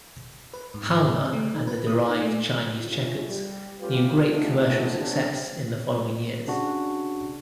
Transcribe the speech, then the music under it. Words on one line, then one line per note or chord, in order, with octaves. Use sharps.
Halma and the derived Chinese checkers knew great commercial success in the following years.
B4
G#2
C3
A3
D#4
B4
D#6
D#4
A3
G2 D3 E3 C#4 F4
G3
A3 C#4 F4 G4 B4
A3 B3 C#4 D#4 F4 A4
G2 C3 B3 C#4 D4
C#3 D4 F#4